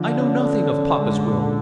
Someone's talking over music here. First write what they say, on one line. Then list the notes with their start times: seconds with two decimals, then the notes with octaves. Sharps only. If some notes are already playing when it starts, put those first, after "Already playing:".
'I know nothing of papa's will.
Already playing: D3 F3
0.18 C#4
0.46 C#4
0.73 C#4
0.99 G#3
1.27 A#2